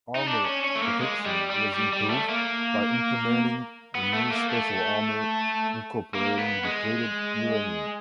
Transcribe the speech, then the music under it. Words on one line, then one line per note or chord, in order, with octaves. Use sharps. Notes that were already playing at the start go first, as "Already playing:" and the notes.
Armor protection was improved by implementing a new special armor incorporating depleted uranium.
D#4
D4
C#4
C#4
A3
A#3
G#3
G3
G3
G3
G3
A3
A#3
B3
A3
A#3
A3
A#3
B3
G#3